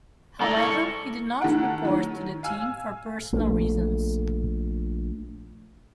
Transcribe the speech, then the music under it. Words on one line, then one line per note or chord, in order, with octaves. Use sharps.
However, he did not report to the team for personal reasons.
G#3 E4 A4 D5 A#5
C#6
D#3 E3 A4 F#5 D7
D#3 F#3
F5 G#5 E6 F6
A#1 A3